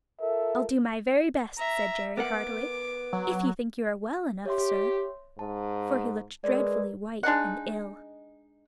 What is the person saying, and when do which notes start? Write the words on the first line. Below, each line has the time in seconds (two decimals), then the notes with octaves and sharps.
"I'll do my very best," said Jerry heartily, "if you think you are well enough, sir," for he looked dreadfully white and ill.
0.21 F4 A4 A#4 E5
1.58 E5 A#5
2.17 B3 A#4 F#5 D6
3.13 F#3
4.46 G4 C#5 E5 C6
5.39 G#2 A5
6.44 G#3 A#4 B4 D5
7.23 G#3 D4 D#4 F#5